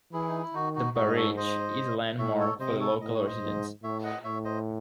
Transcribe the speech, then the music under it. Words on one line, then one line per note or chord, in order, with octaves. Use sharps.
The barrage is a landmark for the local residents.
E3 E4 G#4
D#4
E4
D#3 D#4 F#4
D#4 F#4
G#2 D#4 F#4
D#5
A4 C#5
C5 D#5
A2 C#5 E5
A4 C#5
C3 C5 D#5
A4 C#5
A2 D#5
C#5
C5 D#5
G#2
A2 C#5 E5
D#5 F#5
A2 C#5 E5
C5 D#5